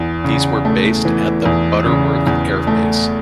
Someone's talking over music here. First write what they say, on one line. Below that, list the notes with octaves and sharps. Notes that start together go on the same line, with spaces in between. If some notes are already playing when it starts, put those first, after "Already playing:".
These were based at the Butterworth Air Base.
Already playing: E2
C#3
A3
E3
E2
C#3
E2
A3